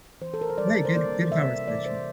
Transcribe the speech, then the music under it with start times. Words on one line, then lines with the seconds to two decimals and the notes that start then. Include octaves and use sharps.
hey, good good conversation.
0.21 E3 C5
0.34 A4
0.41 A#4
0.50 C5
0.58 G3 D5
0.73 A#4
0.85 C5
0.95 A#3 D5
1.31 C3 E5
1.67 E3 D5
1.86 C5